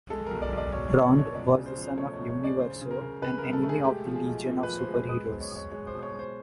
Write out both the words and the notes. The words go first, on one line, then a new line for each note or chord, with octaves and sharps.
Rond was the son of Universo, an enemy of the Legion of Super-Heroes.
G#3 A4
B1 A#4
D5
B1 D5
B1 C#5
C#5
B1
C#5
B2 C#5
C#2 D5
C#3
C5
F3 C5
A3 C#5
C#5
C#2
C#5
C#3 D5
C#3 C5
C#3
A#4
C#3
C#3 B4
C#3 A#4
A4
A3
G#4
G#3 G4
F3
G#4
B1
A#2
F3 B4
C5
G#3
B4
G#3 B4
B1 C5
C#5
B1 C#5
G#3 C#5
C5
B2
C5
C#5
G#3
C5